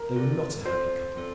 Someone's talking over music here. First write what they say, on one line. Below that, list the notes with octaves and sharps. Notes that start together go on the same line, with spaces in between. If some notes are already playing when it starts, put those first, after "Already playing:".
They were not a happy couple.
Already playing: A#4
C4 F4 A4 D5
C4 F4 A4 C5 D5
C4 F4 A4 D5